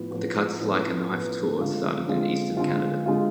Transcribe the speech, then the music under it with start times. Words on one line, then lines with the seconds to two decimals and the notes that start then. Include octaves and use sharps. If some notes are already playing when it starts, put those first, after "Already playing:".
The Cuts Like a Knife tour started in eastern Canada.
Already playing: A2 F3 B3
0.11 A2 F3 B3
0.59 A2 F3 B3
1.10 A2 F3 B3
1.59 D3 G#3 C4 F4
2.07 D3 G#3 C4 F4
2.57 D3 G#3 C4 F4
3.06 D3 G#3 C4 F4